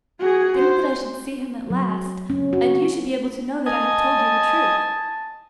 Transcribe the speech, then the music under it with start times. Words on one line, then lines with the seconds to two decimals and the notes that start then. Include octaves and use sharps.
To think that I should see him at last, and you should be able to know that I have told you the truth!'
0.19 F#4 G#4
0.58 C5
1.70 F#3
2.30 C#4
2.53 F#4
3.66 D#5 G#5 A5